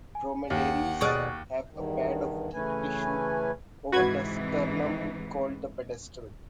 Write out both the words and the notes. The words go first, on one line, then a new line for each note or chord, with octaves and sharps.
Dromedaries have a pad of thick tissue over the sternum called the "pedestal".
G#5
D#2 F#5
B2 G#4 D5 C#6 F6 F#6
E2 G2 D#3
C#3 E3 A3 C#4 B4 G#5
G#2 C3 E3 F#4 B4 G#6